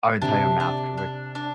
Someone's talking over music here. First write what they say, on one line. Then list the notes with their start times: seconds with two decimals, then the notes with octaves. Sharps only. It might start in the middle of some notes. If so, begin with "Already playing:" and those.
our entire math curric
0.22 C3 D4
0.60 D4
0.98 D4
1.35 D4